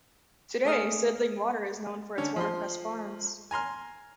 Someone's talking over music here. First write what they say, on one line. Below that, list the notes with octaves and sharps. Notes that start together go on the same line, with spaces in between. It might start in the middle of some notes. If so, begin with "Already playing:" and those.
Today Sydling Water is known for its watercress farms.
A3 G#4 D#6 F6
D3 C#4
F3 C6
G#5 A#5 C6 F6